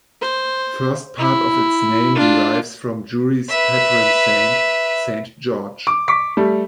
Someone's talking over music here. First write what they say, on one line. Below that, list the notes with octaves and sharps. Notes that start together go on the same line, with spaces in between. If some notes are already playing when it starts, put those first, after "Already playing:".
First part of its name derives from Yury's patron saint, Saint George.
C5
E4
D4 F4
B4 E5
D6
C#6 D6 B6
G3 A3